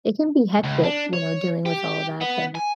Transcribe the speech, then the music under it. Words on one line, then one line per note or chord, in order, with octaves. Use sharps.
It can be hectic, you know, dealing with all that, but
C#2
D4
C#5
G4
B3
G#5